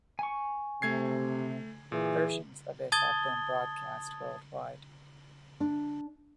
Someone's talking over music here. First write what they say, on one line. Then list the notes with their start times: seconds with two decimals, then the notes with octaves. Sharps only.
Versions of it have been broadcast worldwide.
0.19 G#5 C#6
0.82 C3 A3 G#6 C7
1.92 A#2 E3 G#4
2.92 A5 D#6 G#6 A6 G7
5.60 D4